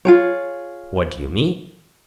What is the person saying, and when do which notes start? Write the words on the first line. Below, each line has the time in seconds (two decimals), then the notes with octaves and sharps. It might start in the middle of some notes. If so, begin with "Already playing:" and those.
What do you mean?
0.05 F4 G#4 C#5